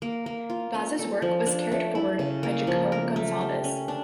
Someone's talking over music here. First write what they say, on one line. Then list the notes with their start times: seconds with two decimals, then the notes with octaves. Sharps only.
Vaz's work was carried forward by Jacome Gonsalves.
0.02 A#3
0.26 A#3
0.50 F4
0.74 C#4
0.99 A4
1.22 F3
1.46 D4
1.72 A3
1.95 E4
2.19 C#3
2.43 A#3
2.67 F3
2.92 A#4
3.16 A3
3.41 G4
3.64 C#4
3.88 D4